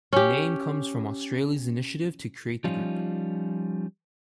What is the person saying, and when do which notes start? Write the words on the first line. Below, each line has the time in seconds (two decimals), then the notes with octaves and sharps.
The name comes from Australia's initiative to create the group.
0.13 C#4 G4
2.64 F3 G3 C#4 D#4 F4